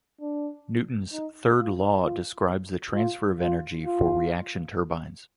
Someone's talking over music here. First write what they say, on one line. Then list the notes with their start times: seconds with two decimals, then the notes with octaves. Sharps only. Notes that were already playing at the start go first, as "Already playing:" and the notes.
Newton's third law describes the transfer of energy for reaction turbines.
0.21 D4
1.13 D#4
1.58 F4
2.03 F4
2.95 F4
3.40 F4
3.86 F4